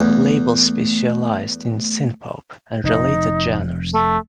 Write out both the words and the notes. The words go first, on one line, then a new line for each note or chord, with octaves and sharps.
The label specialized in synthpop and related genres.
E2 A3
F1 D#4
A3